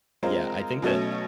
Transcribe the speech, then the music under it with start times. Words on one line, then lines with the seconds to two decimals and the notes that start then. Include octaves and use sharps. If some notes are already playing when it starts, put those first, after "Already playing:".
Yeah, I think that a
0.23 G#3 C4 F4 A#4
0.82 B2 F#3 A3 C#4